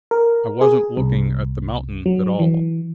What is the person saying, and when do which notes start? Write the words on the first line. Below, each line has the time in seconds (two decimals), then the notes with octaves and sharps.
I wasn't looking at the mountain at all.
0.11 A#4
0.61 G#4
0.97 C2
2.06 F#3
2.39 E3